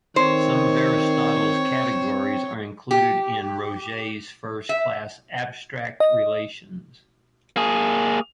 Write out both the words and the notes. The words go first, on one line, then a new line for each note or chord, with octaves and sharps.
Some of Aristotle's Categories are included in Roget's first class "abstract relations".
D#3 C4 C5 C#5
G4
E5
D#5
A#3 G#4